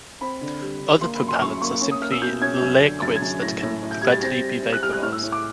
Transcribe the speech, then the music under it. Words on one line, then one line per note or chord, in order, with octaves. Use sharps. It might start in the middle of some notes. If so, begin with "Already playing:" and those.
Other propellants are simply liquids that can readily be vaporized.
C4 B5
D3
G3
D3
A#3 C6
B5
F#2
C6
F#2 C#6
A#3 C#6
C#4
D#6
A#3 F6
E6
B2 G6
C#4 G#6
F#2
D3
F#2 A6
G#6
F#2
A2 A#6
A2
A2
G6
G3 G#6
A6
C4 A#6
G3
C4
F#6
G3 F6
F#6
A2 F6
E6
A2
D6